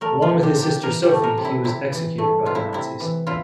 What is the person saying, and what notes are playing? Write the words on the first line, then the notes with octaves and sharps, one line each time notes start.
Along with his sister Sophie, he was executed by the Nazis.
A3 A#4
F4
C3
G4
C3
G4
E3 A#4
G4
A3
A#4
C3
E4
C3 E4
E3
A3
C3 F4
E4
C3 E4
E3
E4 F4